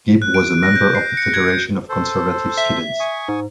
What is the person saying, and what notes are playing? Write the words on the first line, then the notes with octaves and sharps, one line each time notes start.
Gibb was a member of the Federation of Conservative Students.
F#6
D7
A#6
G6
C7
C#7
G#6
G6
A4 C5
E5
G#5 C#6 D#6
G#2